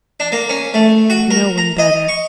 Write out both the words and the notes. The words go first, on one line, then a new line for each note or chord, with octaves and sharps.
No one better.
D4
A#3
C#4
A3
F#4
A#4
A#5
D#5
C#6